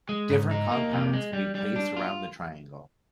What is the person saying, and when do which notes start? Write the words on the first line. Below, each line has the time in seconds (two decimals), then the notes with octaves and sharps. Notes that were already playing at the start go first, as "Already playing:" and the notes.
Different compounds can be placed around the triangle.
0.09 G#3
0.30 G#2
0.51 D#4
0.71 A#3
0.93 C3
1.13 G#3
1.33 G3
1.55 G3
1.76 D4
1.97 F4